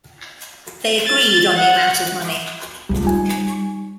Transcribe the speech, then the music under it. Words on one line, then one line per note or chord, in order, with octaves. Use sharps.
They agreed on the amount of money.
A6
F#5
C#2 C#3 G3 A3
G3 D#4 F4 G#5